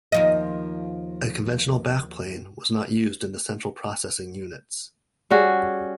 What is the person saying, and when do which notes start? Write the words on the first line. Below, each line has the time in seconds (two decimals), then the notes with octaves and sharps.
A conventional backplane was not used in the central processing units.
0.12 D#2 F3 D#5
5.30 G3 C#4 F#4 G#4